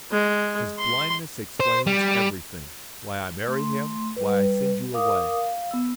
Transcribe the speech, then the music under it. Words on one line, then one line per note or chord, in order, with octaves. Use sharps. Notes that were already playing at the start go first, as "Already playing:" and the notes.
His blindness explains everything--why I marry him, why I send you away.
G#3
C6
C5
G3
A3 C6
G3 B4
A#4 F5 D6 D#6
F5
B3 E6